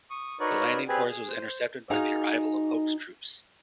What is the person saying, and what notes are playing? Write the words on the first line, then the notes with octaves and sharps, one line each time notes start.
The landing force was intercepted by the arrival of Hoke's troops.
C#6 D#6
D#4 F#4 A#4 B4 C#5 D5
C4 G4 G#4 B4 D5 G#5
G#4
C5
D#4 F#4 G#4 F5